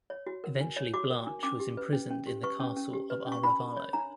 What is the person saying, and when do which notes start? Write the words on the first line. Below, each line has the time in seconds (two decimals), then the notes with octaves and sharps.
Eventually Blanche was imprisoned in the castle of Arevalo.
0.10 C#5
0.27 F#4
0.44 A#4
0.61 D4
0.76 C#5
0.94 F#4 D6
1.10 A#4
1.27 D4
1.43 C#4 D6
1.60 G4
1.77 B4
1.93 C#4
2.10 C#4
2.27 G4
2.43 B4 C#6
2.60 C#4
2.77 C#4
2.93 G4
3.10 B4
3.27 C#4 C#6
3.43 D4 B5
3.60 A#4
3.77 C#5
3.93 D4 A#5